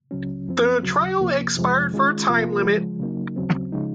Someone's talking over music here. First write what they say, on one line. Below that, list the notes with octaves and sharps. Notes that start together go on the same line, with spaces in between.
The trial expired for time limit.
C#2 C#3 F#3 C#4
F#2 F3 C4
D#2 C#3 F#3
C#2 C3 F3 A#3
F2 C3 F3 G#3
D#3 G#3 C#4 F4
C3 F3 A#3 F4 A#4
C#3 F3 G#3
C#3 F#3 A#3 D#4
D#2 C#3 F#3 C4
C#3 F3 G#3 D#4